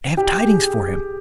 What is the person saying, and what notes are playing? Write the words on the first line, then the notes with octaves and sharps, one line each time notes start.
I have tidings for him.
G4
G#4